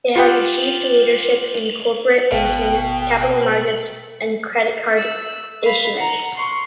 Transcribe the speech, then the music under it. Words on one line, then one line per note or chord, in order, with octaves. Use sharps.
It has achieved leadership in Corporate Banking, Capital Markets and Credit Card issuance.
F4 G4 F#5 G5
G#1 B2 F5 G5
E6 F#6
F5 B5
F#5 A#5
C6 C#6